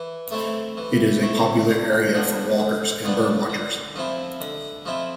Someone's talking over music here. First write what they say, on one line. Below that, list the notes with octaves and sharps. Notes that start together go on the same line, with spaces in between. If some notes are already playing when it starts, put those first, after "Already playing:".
It is a popular area for walkers and bird-watchers.
Already playing: E3
A3 C4 E4
E3
A3 C4 E4
D3
F3 B3 D4
D3
F3 B3 D4
D3
F3 C4 E4
D3
F3 C4 E4